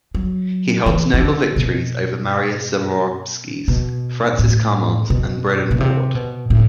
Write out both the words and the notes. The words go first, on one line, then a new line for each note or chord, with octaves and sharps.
He holds notable victories over Marius Zaromskis, Francis Carmont, and Brennan Ward.
F#3
E3
E3
D3
B2
B2
A2
B2
B2
C3
B2
A2